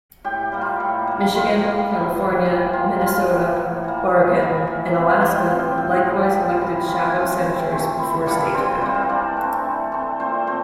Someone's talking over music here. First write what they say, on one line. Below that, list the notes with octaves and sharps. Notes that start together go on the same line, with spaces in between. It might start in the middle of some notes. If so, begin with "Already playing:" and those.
Michigan, California, Minnesota, Oregon, and Alaska likewise elected shadow senators before statehood.
A2 G4 G5
G3 A#3
F4 F5
A2
G3 A#3
A2 F4 F5
G3 A#3
A2
G3 A#3
E3 G4 G5
A#3 F4 F5
E3 F4 F5
A#3
A2
E3 A#3
A2
E3 A#3
A2
F3 C4
A2 G4 G5
F4 F5
F3 C4
G4 G5
A2
E3 A#3
A2
E3 A#3
E3 F4 F5
A3 C4
E3
A3 C4
E3 E4 E5
G3 A#3 D4 D5
E3 C4 C5
G3 A#3 C4 C5
A#4
C5
E3 D4 D5
A3 C4
E3
A3 C4
A#2 C4 C5
A3 C4 C5